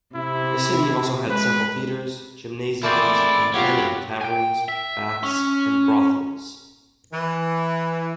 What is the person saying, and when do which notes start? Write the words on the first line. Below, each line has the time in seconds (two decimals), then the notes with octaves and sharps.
The city also had several theatres, gymnasiums, and many taverns, baths and brothels.
0.15 C3 E4
1.30 G#3 B4
2.83 A3 A#3 C4 E4 G#4 D5
3.54 F#3 B3 F4 G4 C#5 F5 A#5
4.21 G5 G#5
4.68 E5
5.23 C#4
7.13 E3